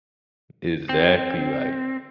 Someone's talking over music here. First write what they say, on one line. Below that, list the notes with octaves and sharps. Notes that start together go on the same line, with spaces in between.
Exactly, like
C4